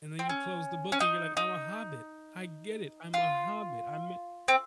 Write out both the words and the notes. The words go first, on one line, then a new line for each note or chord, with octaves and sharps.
And then you close the book and you're like, "I'm a hobbit. I get it, I'm a hobbit, I'm mean
C4
C#4
C#4
D#4
D#4
F4
C4